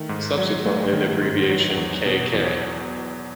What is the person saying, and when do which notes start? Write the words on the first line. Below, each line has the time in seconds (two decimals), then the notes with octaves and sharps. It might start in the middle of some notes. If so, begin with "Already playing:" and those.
Subsequently, the abbreviation k.k.
Already playing: D#3 A3
0.09 G#2
0.38 F#3
0.65 A3
0.93 D#3
1.22 G#2
1.50 F#3
1.78 E2
2.06 B2
2.33 E2